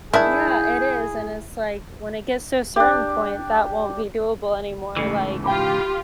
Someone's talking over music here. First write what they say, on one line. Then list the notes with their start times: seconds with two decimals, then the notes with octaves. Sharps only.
Yeah, it is, and it's like, when it gets to a certain point, that won't be doable anymore, like,
0.14 D#3 D4 E4 G#4 G6
2.76 D4 G4
4.97 G#2 C#3 E3 A3
5.44 F4 G4 G5 B5 D6